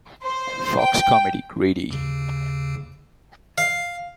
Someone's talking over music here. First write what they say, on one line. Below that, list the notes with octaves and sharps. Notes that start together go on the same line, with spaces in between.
Fox comedy "Greedy".
C5
G5
D#2 C#3
F5